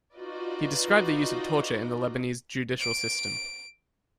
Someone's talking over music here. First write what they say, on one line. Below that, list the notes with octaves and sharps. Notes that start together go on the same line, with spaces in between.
He described the use of torture in the Lebanese judicial system.
D#4 F4 F#4 B4 D5 D#5
D7